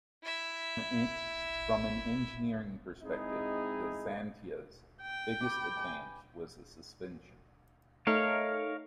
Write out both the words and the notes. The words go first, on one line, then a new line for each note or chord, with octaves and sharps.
From an engineering perspective, the Xantia's biggest advance was the suspension.
E4 E5
G#3 C4 D#4 E4 G#4
G5
G4 B4
G#5
A3 D#4 A#4 C#5 F5